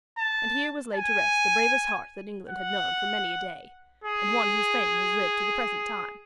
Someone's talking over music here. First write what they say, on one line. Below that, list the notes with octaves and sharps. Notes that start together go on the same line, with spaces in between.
And here was laid to rest the bravest heart that England had known for many a day, and one whose fame has lived to the present time.
A5
G#5
F#5
G#4